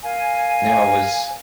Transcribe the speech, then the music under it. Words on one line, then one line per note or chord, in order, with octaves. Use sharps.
Now was
A#4 F5 G#5